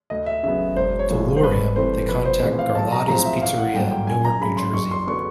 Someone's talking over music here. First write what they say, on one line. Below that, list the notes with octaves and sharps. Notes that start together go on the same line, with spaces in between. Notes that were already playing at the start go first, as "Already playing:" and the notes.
To lure him, they contact Garlotti's Pizzeria in Newark, New Jersey.
D2 D#5
E5
C#3 F#3 B3 E5
E1 C5
C#5
D#2 D3 F3 G#3
C5
C2 B4
C3 E3 A3 C4 C5
A#1 B4
C5
A2 E3 G#3 C4
F5
B1 A5
A#5
A2 F3 G#3 C4 A#5
E5
A1 F5
F#5
G2 D3 F#3 A#3 G5
G5
F#2 G#5
A#5
C#3 F#3 B5
C6
F#1 C#6
C6
D3 F#3 B3 C#6